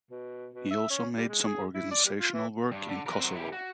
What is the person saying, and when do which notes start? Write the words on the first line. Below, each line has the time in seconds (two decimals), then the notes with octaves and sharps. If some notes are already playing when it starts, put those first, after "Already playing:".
He also made some organizational work in Kosovo.
0.11 B2
0.55 B2
0.71 E5
0.90 C#4
1.17 G3
1.29 G#3
1.46 G#4
1.74 E4
1.91 D5
2.05 G3
2.19 F4
2.34 E3
2.71 G2
2.89 D3
3.06 A#4 B4
3.20 F#3 C4
3.36 E4 G4
3.53 F#4